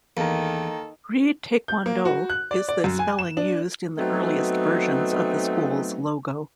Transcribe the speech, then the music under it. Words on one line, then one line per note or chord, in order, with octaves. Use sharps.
"Rhee Taekwon-Do" is the spelling used in the earliest versions of the school's logo.
E2 D#3 A#3 A4 A#5
G6
A#3
F#4
F#6
D5
D5
F#2
G#5
E7
D4
F#3 A3 B3 C4 D#4